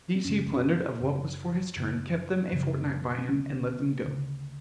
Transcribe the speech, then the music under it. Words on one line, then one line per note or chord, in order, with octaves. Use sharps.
These he plundered of what was for his turn, kept them a fortnight by him, and let them go.
C4
F#2 C#3 C#4
F#2 C#3
F#2 C#3
F#2 C#3
C4
D2 C#3 C#4
D2 C#3